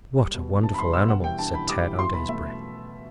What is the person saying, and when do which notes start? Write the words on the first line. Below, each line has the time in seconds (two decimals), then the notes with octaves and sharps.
"What a wonderful animal!" said Tad under his breath.
0.19 G3
0.34 B2
0.49 D4
0.63 B2 A5
0.74 B5
0.79 G3 C6
0.93 B2 E6
1.08 G3 F#5
1.24 E3 G5
1.39 D4 A5
1.54 E3 B5
1.69 G3 D6
1.84 E3
1.98 F#3 C6
2.14 B2 B5
2.29 A3 E5